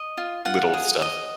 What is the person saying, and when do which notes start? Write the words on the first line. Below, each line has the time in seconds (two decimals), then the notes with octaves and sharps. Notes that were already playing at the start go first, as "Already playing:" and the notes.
little stuff.
Already playing: D#5
0.17 F4
0.45 F4 F#5
0.73 G#4
1.02 D#5